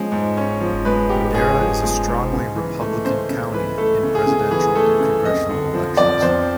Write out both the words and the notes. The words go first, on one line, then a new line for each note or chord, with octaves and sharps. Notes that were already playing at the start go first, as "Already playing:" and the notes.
Madera is a strongly Republican county in Presidential and congressional elections.
Already playing: F3 G#3 C#4
G#2
C#4
F3
G#3 B4
G#2 G4
G4
C#4 G#4
F3
G#3
G#2
C#3
E3
A3
C#3 C5
C#3
E3 B4
A3 A4
C#3
G#4
C#3
E3 G#4
A3 A4
C#3
F2 D#5
D3
F3
F2 D5
F2 C5